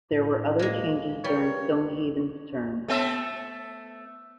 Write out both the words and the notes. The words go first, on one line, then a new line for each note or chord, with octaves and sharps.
There were other changes during Stonehaven's term.
A2 E4
G#3 A#3
G3 A#4 B4 C#5
A3 B3 E5